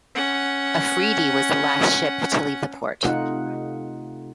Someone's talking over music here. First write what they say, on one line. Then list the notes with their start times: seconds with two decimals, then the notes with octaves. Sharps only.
"Afridi" was the last ship to leave the port.
0.15 C#4 F#5
3.05 C3 A3 D#4 F4 F#5